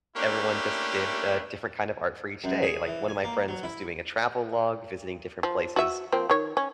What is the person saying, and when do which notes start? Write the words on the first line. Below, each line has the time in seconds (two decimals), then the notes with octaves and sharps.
everyone just did a different kind of art for each day. Like, one of my friends was doing a travel log, visiting different places
0.15 A3 A#3 C#4 D4 E4 G4
2.44 F#2
2.62 G#4
2.87 E3
3.08 G#5
3.23 A#3
3.48 F#3
3.63 E4
5.43 F3
5.76 F#4 E5
6.12 F3 A#3 C4
6.30 D#3 C#5
6.57 C#4